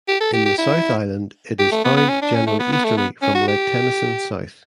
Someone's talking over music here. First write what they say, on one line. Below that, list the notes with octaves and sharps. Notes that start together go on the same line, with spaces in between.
In the South Island it is found generally easterly from Lake Tennyson south.
G4
A4
G4
G4
E4
G4
A3
B3
B3
C#4
D4
C#4
A3
B3
B3
A3
B3
C#4
F#4
G4